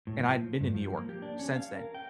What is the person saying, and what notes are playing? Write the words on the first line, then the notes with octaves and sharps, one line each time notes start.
and I hadn't been to New York since then,
A2
F3
G2
F3
A#3
G4
D4
C#4
F5
A#4
G5